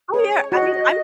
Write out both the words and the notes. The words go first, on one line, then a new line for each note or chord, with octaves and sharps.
Oh, yeah, I mean, I'm
G#4 C#5
F#4 D#5